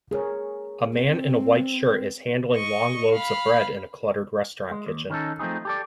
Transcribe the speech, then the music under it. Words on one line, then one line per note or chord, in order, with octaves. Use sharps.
A man in a white shirt is handling long loaves of bread in a cluttered restaurant kitchen.
G#4 A#4 C#5
C4
D#5 C#6
F5 B5
G#3
D#2
D#3 C#4 D#4 A4
F3 A3 C4 D#4 G#4
G4 A4 D5